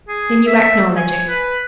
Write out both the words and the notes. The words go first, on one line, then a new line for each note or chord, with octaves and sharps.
"Then you acknowledge it?"
G#4
E5
G#5
B4